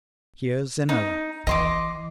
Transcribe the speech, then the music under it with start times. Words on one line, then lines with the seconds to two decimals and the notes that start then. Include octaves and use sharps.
"Here's another."
0.89 D#4
1.47 E3 D#5 C6 D6